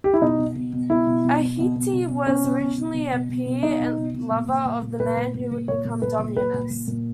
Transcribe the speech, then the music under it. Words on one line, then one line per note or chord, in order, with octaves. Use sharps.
Ahti was originally a peer and lover of the man who would become Dominus.
G4
E4
B2 D#4
B2
B2
B2
B2 E4
B2
B2
B2
B2
B2
B2
B2
B2 C#4
B2
B2
B2
B2
B2
B2
B2
B2 D#4
B2
B2
B2
A#2
A#2
A#2
A#2
A#2 B4
A#2
A#2
A#2
A#2 C#5
A#2
A#2 B4
A#2
A#2 B4
A#2
A#2
A#2